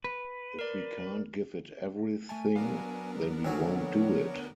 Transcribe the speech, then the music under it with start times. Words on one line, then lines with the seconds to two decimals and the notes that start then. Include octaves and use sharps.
If we can't give it everything then we won't do it.
0.04 B4
0.59 A#4 D5
2.29 A3 E5 G#5 A5
2.56 F#3 B3 D4 A#4 F5
3.45 D2 F#3 C#5 G#5
3.80 F3